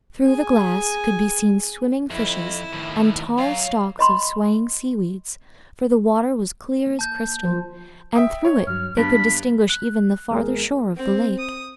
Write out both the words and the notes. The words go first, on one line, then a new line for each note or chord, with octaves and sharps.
Through the glass could be seen swimming fishes, and tall stalks of swaying seaweeds, for the water was clear as crystal and through it they could distinguish even the farther shore of the lake.
G#4 G#5
F2 E4
D#2 A2
F#2 F5
D#5 B5 C6
A#3
A5 G6
F3 C5
E5 G5 D#6
C#5
G2 F#3 F6
G2 B3 B6
F#6
A1 G#3 B3 G#4 A#4
C4
D#6